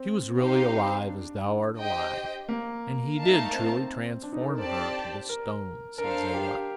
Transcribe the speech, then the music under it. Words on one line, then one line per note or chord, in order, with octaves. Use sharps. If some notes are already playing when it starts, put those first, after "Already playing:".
"She was really alive as thou art alive, and he did truly transform her to this stone," said Zadok.
Already playing: C4
C4 D#4 G4 C5 F5
D4
G4 C5 D#5 G5
A#3
A3 D#4 A#4 F5 A5
C4
C4
D4
D#4
A4
A#4
C4 G4 C5 D5 A5
A#4
D4 A4 A#4 C5 F5
G4